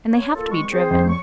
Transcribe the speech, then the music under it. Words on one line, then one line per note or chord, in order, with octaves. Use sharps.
And they have to be driven.
C#5
A#3 F4 A4
C2 G#3 C#6
C4 G#4 C5
F2
C#6